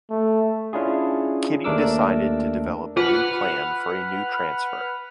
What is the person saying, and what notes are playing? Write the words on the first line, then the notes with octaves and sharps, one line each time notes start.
Kidde decided to develop a new plan for a new transfer.
A3
C#4 D4 E4 F4 G#4
D#2 A3 D4 A#4 D6 E6
F4 B4 F#5 F6